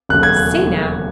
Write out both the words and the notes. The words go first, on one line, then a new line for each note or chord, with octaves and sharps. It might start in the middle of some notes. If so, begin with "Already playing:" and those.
"Say, now."
E1 D#2 C#3 F#3 A3 F#6
G#6
F#6